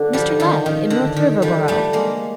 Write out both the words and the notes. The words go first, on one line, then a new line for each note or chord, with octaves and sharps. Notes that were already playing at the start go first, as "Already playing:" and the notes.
"Mr. Ladd, in North Riverboro."
Already playing: D3
F3 G3
D#3 F3
D#3
D3
D#3
D3 F3 G3
G3 A3
G#3 A#3